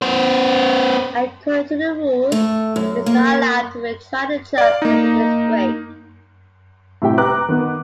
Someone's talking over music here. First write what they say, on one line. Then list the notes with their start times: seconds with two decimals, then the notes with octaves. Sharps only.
According to the rules, he was not allowed to retry the jump after this break.
0.02 B3 C5
2.32 A3
2.76 F#2
3.06 A#3
4.58 D5 F5
4.82 A#3 D#4
7.02 A2 C3 G4 G5
7.18 B4 A#5 D6 F#6
7.48 D#3 B3